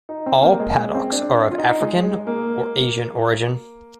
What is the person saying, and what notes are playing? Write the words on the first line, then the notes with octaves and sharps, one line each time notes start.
All padauks are of African or Asian origin.
D#4
C4
A#3
G#3
G#3
C4
D4
F4
D#4
G#3
G#3
A#3